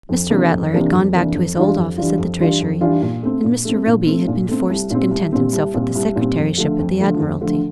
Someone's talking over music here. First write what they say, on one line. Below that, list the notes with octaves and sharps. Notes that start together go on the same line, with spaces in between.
Mr. Rattler had gone back to his old office at the Treasury and Mr. Roby had been forced to content himself with the Secretaryship at the Admiralty.
F2
C3 E3 A#3 D4
F2
C3 E3 A#3 D4
F2
C3 E3 A#3 D4
F2
E3 G3 D4 F4
F2
E3 G3 D4 F4
F2
E3 G3 D4 F4
F2
E3 G3 D4 F4
A#2
A3 C4
A#2
A3 C4
A#2
A3 C4
A#2
A3 C4
C2
A#2 G3 C4
C2
A#2 G3 C4
C2
A#2 G3 C4
C2
A#2 G3 C4
F2
D3 F3 A3
F2
D3 F3 A3
F2
D3 F3 A3